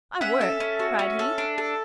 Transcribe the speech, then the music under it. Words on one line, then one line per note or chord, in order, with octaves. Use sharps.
"I work!" cried he.
C#4 E5 F#5
A4
C#4
F#4
C#4
A4
D4
A4